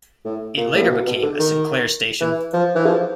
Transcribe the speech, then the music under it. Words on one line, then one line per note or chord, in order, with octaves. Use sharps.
It later became a Sinclair station.
A2
A#2
A2
A#2
B2
B2
D3
D#3
E3
F3
E3
F3